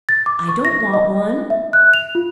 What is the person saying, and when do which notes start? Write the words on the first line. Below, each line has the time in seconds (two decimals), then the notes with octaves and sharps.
"I don't want one."
0.09 A6
0.26 D6
0.49 C#6
0.65 A#6
0.93 D#5
1.50 E5
1.73 F#6
1.94 F7
2.15 F4